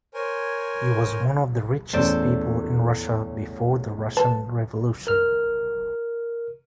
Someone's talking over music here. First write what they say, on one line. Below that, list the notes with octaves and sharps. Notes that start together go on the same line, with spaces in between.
He was one of the richest people in Russia before the Russian Revolution.
A#4 C5 C#5 G#5
E2 A2 C#4 A4 C5 D5
B4 A5
A#4 F6